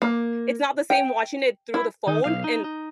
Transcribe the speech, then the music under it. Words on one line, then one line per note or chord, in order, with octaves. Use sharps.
it's not the same watching it through the phone and
A#3
G5
E4
D#3 D#4
B1 F5
D#4
D#4